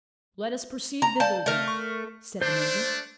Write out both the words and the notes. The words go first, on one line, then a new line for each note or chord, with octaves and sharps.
"Let us proceed thither, then," said the major.
A#5
D5 F5 A5 G6
A3 A#4
C#6
A3 D4 C5